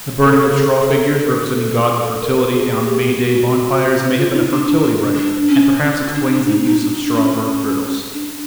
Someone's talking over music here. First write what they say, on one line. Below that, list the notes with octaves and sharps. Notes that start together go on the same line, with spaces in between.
The burning of straw figures, representing gods of fertility, on May-Day bonfires may have been a fertility rite, and perhaps explains the use of straw birth-girdles.
A4
G#4
G#4
A4
A#4
A4
A4
A#4
G#4
G4
F#4
F4
D#4
D4
D4
D4
D4
C#4
D4
D4
D#4
D#4
D4
C#4
D4